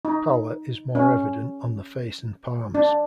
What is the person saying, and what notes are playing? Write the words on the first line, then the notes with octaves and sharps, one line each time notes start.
Pallor is more evident on the face and palms.
D#4
C#4
D4